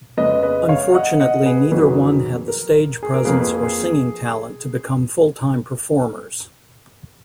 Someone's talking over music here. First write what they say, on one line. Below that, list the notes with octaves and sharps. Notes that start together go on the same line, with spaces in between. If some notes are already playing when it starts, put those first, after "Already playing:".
Unfortunately neither one had the stage presence or singing talent to become full-time performers.
F2 C#3 G#3 B3 B4 D#5
B4 D#5
C#5 F5
D#5 F#5
D#5 F#5
G#4 B4
F2 D#3 F#3 G#4 B4
A#4
G#4
A#4
F2 F3 A#3 G#4 B4
G#4